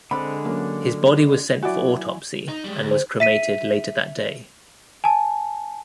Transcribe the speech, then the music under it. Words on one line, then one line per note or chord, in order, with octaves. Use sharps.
His body was sent for autopsy and was cremated later that day.
D3 G#3 C4 D4 B5
F#3 A#3 C#4
F#3 E4 F#4 D5 G#5
D#4
G3 G#3
D2
C5
E5 B6 D#7
G#5 A5